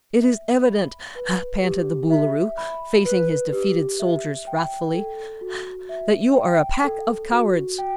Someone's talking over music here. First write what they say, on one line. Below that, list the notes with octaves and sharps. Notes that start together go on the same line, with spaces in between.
"It is evident," panted the Boolooroo, facing his defeated soldiers wrathfully, "that you are a pack of cowards!"
E5
B5
B4
G4
E5
B5
B4
G4
E5
G5
A4
F#4
E5
G5
A4
F#4
G5